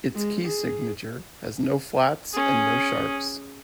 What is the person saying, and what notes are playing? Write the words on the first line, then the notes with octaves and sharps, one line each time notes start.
Its key signature has no flats and no sharps.
G#3
G#4
C#4 G#4